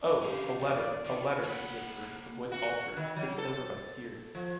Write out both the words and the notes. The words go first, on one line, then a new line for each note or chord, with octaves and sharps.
Oh! A letter, a letter, she whispered, her voice altered, taken over by tears.
D3 C#4 G4 F5
E2 D5
D#3
A#3 F#5 B5
F#4
D#3
F#3
A4
F3